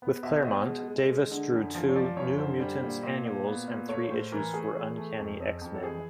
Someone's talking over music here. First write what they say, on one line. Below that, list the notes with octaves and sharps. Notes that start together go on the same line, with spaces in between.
With Claremont, Davis drew two "New Mutants Annuals" and three issues for "Uncanny X-Men".
B3
B2 E5
B2 D#5
G#3
G#3
G#3
D3
F#2
F3
C#5
F3 D5
F#2 C#5
D3 C5
G3
A#2
A#2
A#2
B3
A#2
A3 C#5
C#5
A2 C5
E3 A#4
A3 G#4
E3
A3
F2
F2
F2
A4
E3 G#4